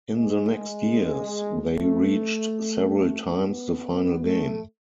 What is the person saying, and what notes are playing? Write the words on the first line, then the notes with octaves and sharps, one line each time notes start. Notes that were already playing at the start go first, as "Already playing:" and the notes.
In the next years, they reached several times the final game.
G#3
A3
B3
A3